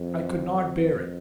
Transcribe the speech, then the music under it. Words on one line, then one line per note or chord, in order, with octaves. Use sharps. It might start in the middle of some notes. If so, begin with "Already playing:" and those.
I could not bear it.
Already playing: F2
F2